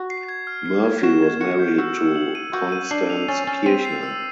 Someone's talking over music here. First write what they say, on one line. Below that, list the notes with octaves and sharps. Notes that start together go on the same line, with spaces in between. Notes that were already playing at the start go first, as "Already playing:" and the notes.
Murphy was married to Constance Kirchner.
Already playing: F#4
C7
G#6
F6
C7
G#6
F#4 E7
G#6
F#4 C#7
G6
F#4 E6
E6
F#7
D#7
F#4 G6
D#7
D4 C7
F7
C#4 A6
C#4 A6
C4 D#7
C7
E6